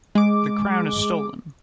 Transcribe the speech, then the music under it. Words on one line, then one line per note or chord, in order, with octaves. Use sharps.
The crown is stolen!
G#3 D6